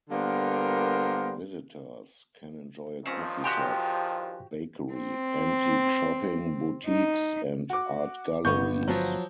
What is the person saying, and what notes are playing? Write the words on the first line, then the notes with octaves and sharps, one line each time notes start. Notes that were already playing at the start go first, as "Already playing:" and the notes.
Visitors can enjoy a coffee shop, bakery, antique shopping, boutiques, and art galleries.
D3 G3 A#3 B3 A#4 C5
G2 D#3 F3 C4 C#4
F#4 G4 G5 G#5 C6 F#6
C4
D#4
F#4 D6
G1 B3 C#6 G6
F3 F#3